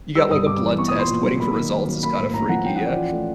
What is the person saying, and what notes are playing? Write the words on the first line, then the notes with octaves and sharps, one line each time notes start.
you got, like, a blood test waiting for results is kinda freaky, yeah.
G3 E6
G2 D#6
G2 D6
E3
B3 C#6
D#6
A#2
C6
A#2
F#3
A#3 B5
D#3
D#3
F#3
A#3 B5
A2
A2 A#5
F3 F#5
C#4 G5
F#5
E3 D5
F4
A3